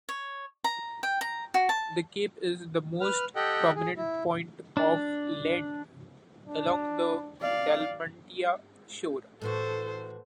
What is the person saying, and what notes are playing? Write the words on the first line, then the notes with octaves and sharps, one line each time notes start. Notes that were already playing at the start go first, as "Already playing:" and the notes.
The cape is the most prominent point of land along the Dalmatian shore.
C#5
A#5
G5
A#5
F#4
A5
B4 F6
G4 A4 D#5 F#5 G5
G#4
E4
D4
D4
D5 F5
A2 E3 F#4 A4 C5